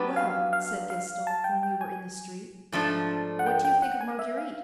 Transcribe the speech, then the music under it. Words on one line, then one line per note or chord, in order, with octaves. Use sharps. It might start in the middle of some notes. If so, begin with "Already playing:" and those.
"Well," said Gaston, when we were in the street, "what do you think of Marguerite?"
Already playing: F#3 B3 D4 G4 B4
F5
F5
F5
A5
G5
G5
G#5
G#2 F3 A3 D4
F#5
G5
G5
F#5
G#5
E5
F5